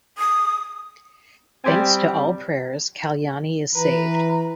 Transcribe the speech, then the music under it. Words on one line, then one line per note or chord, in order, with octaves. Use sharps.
Thanks to all prayers Kalyani is saved.
D#6
G3 C4 G4 G#5
E3 B4 A#5